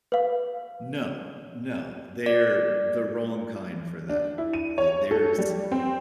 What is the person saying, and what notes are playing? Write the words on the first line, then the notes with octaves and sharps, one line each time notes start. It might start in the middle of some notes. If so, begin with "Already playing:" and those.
No. N no. They're the wrong kind for that. Li there's
B4 F5
D5
D4
E4
D#7
C#5
A4
G3
C4